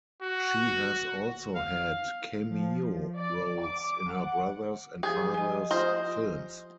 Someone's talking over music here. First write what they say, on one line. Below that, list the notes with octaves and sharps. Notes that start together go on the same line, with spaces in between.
She has also had cameo roles in her brothers' and father's films.
F#4
F5
F3
D5
D6
F#5
F3 G4 G#4
D#5 G#5
F4 C5 D#5